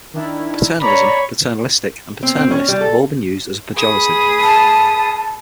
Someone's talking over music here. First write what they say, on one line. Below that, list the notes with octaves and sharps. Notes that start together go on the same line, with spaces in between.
Paternalism, paternalistic and paternalist have all been used as a pejorative.
D#3 D4 E4
C#5 D5 A#5 B5
C4
C4
C#4
G3
A4
G#4 B4 D#6
A5